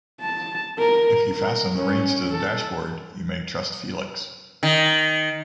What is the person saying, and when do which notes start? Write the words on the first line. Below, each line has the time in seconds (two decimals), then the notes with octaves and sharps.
If you fasten the reins to the dashboard, you may trust Felix.
0.21 A5
0.79 A#4
1.30 A#4
1.77 C#4
2.30 A4
4.63 D#3